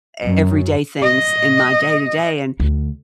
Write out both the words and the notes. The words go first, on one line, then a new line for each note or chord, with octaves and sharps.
everyday things in my day-to-day, and
F#2
D#5
D2